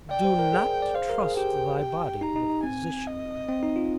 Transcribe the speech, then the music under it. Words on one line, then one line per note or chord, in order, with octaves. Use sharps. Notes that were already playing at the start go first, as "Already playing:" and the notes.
Do not trust thy body with a physician.
D5 G5
C5
A#4
G#4
D5
C5 F5
A#4
G#4
G4 G5
G5
D#4 A#5
D#4
D#4
C4 G#5
D#5
C4
D#4
F4